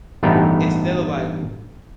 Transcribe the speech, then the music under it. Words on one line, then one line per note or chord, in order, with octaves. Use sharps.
instead of, like,
A1 G2 A3 B3 D#4 G4